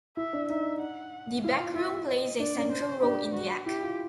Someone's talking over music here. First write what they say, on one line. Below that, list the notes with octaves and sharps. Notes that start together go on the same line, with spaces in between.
The backroom plays a central role in the act.
E4 E5
D4
D#4 E5
F#5
E4 F5
F4
E4 E5
D#5
D4 D5
C#4
C5
D4 G4
F#4
E4 G4
F4